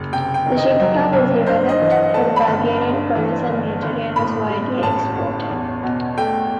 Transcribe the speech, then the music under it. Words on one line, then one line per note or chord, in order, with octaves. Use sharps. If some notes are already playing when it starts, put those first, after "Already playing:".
The Shipka was developed for the Bulgarian police and military and is widely exported.
Already playing: F#1
C3 G5
G5
D#3
D#5
F#3
C2
G2 C5
D#5
E3
F#5
A3 A5
B5
G1
G2
E3
G1
G1
A2 B5
G3
A1 A5
A1
E2
B2
A3 G5